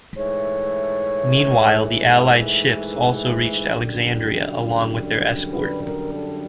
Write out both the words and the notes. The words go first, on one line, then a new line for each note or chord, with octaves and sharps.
Meanwhile, the Allied ships also reached Alexandria along with their escort.
G#2 E3 A3 C#5
F#2 D3 G3
B4
A#4
A4